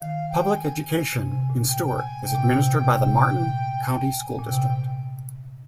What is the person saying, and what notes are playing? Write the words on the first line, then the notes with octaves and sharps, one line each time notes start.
Public education in Stuart is administered by the Martin County School District.
D#3 F5
G5
G#5
C3
C3
A#2
G5
G5
G#5
C3 G5
A#2
C3
C3
A#2 G5
C3
C3
A#2
G#5
G5
G#5
A#2
C3 G5